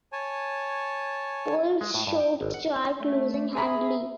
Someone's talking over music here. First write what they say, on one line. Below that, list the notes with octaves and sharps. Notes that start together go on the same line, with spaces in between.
Polls showed Clark losing handily.
C#5 G#5 A5
G#3
A2
G2
G5
G#1
F#5
A3
G#4 E5 G#5 A#5 B5